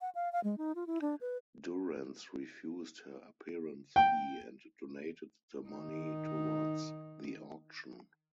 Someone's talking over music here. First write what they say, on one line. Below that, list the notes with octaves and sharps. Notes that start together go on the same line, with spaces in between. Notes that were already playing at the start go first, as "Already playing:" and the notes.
Durance refused her appearance fee and donated the money towards the auction.
F#5
F5
F5
G#3
D#4
F4
E4
D4
B4
G5
D#3 D#4